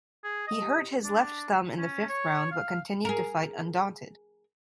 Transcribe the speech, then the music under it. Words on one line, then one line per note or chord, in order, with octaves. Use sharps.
He hurt his left thumb in the fifth round but continued to fight undaunted.
G#4
D#5
D4
C#4
C#5
F5
G#4 A#4